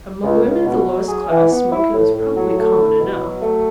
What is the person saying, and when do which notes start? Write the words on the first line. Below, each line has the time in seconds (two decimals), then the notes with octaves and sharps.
Among women of the lowest class smoking was probably common enough.
0.24 C#2
0.45 C#2
0.66 B2
0.87 F#3
1.08 G#4
1.30 E3
1.51 B3
1.72 E4
1.94 A2
2.15 A2
2.36 F#3
2.57 A3
2.79 E4
2.99 B2
3.20 F#3
3.42 A3